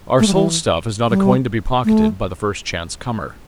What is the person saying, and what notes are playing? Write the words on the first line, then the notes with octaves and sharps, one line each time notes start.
Our soul stuff is not a coin to be pocketed by the first chance comer.
A3
G3
E3
G3
A3